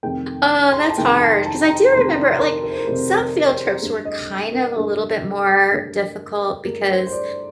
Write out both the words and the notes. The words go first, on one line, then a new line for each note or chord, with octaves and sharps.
Oh, that's hard, 'cause I do remember, like, some field trips were kind of a little bit more difficult because
F2 C3 D#3 A3 G5
C6
A#5
A5
F2 C3 D#3 A3 G5
A5
A5
A#5
F2 C3 D#3 A3 C6
D5
A#4
A#4
C5
A#4
F2 C3 D#3 A3 C5
A#4
C5
G2 D3 A3
D#5
A#4
G2 D3 A3 A4
G2 D3 A3
G2 D3 A3 A#4
C5
C5
D5